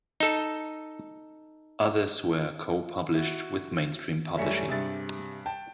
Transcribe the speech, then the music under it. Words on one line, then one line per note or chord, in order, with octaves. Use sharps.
Others were co-published with Mainstream Publishing.
D#4 A4
E4 F#4
F#2 G3 A3 C#4 E5 C#7
G2 C3 G#4 E5 A6
G5 A5